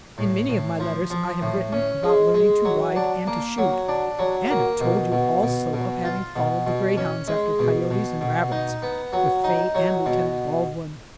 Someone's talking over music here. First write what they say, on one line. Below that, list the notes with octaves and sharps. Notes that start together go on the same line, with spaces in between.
IN many of my letters I have written about learning to ride and to shoot, and have told you, also, of having followed the greyhounds after coyotes and rabbits with Faye and Lieutenant Baldwin.
A2
A2
F3
F3
A2
C#4
G#3
G#3
F#3
D4
A#3
F#3
D4
F#3
A#3
B2
B2
B2
B2
F4
B2
B2
C#4
G#3
B2
B2
B2
D#4
B3
F#3
D#4
F#3
B2